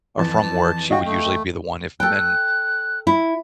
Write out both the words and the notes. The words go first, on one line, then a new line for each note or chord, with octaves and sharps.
or from work, she would usually be the one, if men
F2 E3 A5
F#4 D#5 F5 G5
A3
A4 G5 F#6
E4